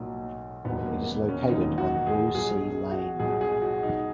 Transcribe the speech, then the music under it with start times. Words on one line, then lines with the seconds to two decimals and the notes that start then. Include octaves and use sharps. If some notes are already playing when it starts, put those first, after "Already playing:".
It is located on Blue Sea Lane.
Already playing: B1 A#2 F#3
0.65 E1 D#2 D#3 F#3 B3
0.86 A#3
1.07 B3
1.29 C#4
1.49 E1 D#2 D#3 F#3 D#4
1.78 F#4
2.07 G#4
2.34 B1 B2 F#3 G#4
2.91 F#4
3.19 B1 B2 F#3 G#4
3.41 G#4
3.62 F#4
3.83 D#4